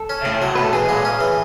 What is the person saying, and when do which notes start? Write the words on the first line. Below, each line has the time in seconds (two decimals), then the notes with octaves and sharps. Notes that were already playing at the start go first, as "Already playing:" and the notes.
and, uh,
Already playing: A4
0.10 C#4
0.25 A2
0.42 F#3
0.55 A2 B4
0.65 A4
0.73 E3 G#4
0.89 G#3
1.05 C#4
1.20 E3